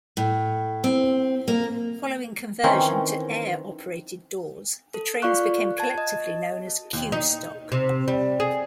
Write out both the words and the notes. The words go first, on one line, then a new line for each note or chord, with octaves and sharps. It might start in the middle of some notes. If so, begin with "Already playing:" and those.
Following conversion to air operated doors, the trains became collectively known as Q Stock.
A2
C4
A#3
D#3 E3 C4 C#4
A4
F4 D5 F5 C#6 F#6
A5 G#6
D#5
D#2
D#4
C3
G3
G#4